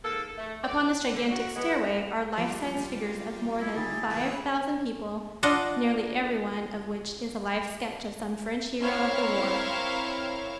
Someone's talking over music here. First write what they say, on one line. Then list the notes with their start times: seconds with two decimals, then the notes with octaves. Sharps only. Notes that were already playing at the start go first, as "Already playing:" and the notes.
Upon this gigantic stairway are life-size figures of more than five thousand people nearly everyone of which is a life sketch of some French hero of the war.
0.04 G#2 A#3 A4
0.37 A3
0.63 D5
1.11 D3
1.30 F#4
1.56 E3 G#3 B3
2.37 D2 F3 G3 F4 B5
2.78 D#2
3.61 E4
3.76 D3 D#3 A3 E4 G#4 A5
4.10 C#2 A#2 E3 A#3 B4
5.43 D4 F4 D#5 F#5
8.81 C4 E4 A#4 C#5 F5